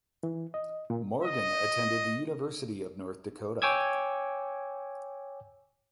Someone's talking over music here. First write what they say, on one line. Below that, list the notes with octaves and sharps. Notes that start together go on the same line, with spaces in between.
Morgan attended the University of North Dakota.
E3
D#5
A#2
D#5
C#5 G5 G#5 D6 E6 G#6